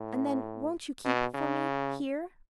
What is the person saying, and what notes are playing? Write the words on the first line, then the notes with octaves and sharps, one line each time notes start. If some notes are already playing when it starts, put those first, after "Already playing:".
And then--won't you keep it for me--here?
Already playing: A2
B2
C#3